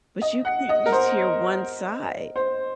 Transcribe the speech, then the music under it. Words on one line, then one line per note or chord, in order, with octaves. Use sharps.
but you can't just hear one side.
D#5
F#5
D#5
A#4
C5
C5